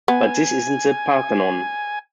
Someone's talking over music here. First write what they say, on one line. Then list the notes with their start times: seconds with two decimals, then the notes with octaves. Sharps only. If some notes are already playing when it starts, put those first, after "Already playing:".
But this isn't the Parthenon.
0.08 B3 G#5